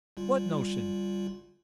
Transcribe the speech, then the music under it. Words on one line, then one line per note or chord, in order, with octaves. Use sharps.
"What notion?"
G1 G3 F4